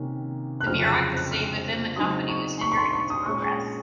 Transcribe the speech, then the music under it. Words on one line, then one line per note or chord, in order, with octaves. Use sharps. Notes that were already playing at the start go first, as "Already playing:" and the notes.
The bureaucracy within the company was hindering its progress.
Already playing: C3 D#3 A#3 C#4
F#6
F2 C#3 F#3 C4 F6
F#6
F#6
F#6
F6
C#3 F#3 C4 D#4 D#6
C#6
C#6
C#6
C6
C#6
D#6
A#2 G#3 C#4 C#6
C#6